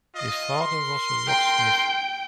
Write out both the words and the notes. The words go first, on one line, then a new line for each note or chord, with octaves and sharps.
His father was a locksmith.
F4 D#5
A#4 C6
G5